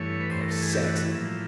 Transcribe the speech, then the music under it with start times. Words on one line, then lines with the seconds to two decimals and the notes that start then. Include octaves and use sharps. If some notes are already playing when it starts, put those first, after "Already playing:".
Our sex!
Already playing: G2 E3 A3 C#5
0.21 B4
0.30 C5
0.41 A#4
0.51 A4
0.62 G#4
0.73 G4
0.84 F#4
0.95 F#4
1.05 E4
1.15 A2 F3 A#3 E4